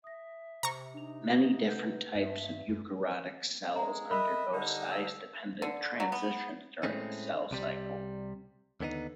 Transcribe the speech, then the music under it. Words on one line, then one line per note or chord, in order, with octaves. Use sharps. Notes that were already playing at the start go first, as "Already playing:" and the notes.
Many different types of eukaryotic cells undergo size-dependent transitions during the cell cycle.
E5 D#6 A#6
C3 C5 A#5 C#6
D4 D#4 F7
B4 F#5 G6
G2 E5
F#2
G#3 A#5
A#4 D#5 E5 B5 F#6
D3 G3 D#4
E6
D3
F#3
B3
A2 G#3 A3 C4 C#4
C2 C3 G3
D#2 D3 B3 D4 D#4